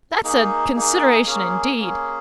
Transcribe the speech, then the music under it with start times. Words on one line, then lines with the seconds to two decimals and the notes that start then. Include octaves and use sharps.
That's a consideration, indeed.
0.24 A#3 D#4 G#4
0.75 A#3 D#4 G#4
1.26 A#3 C#4 G#4
1.78 A#3 C#4 G#4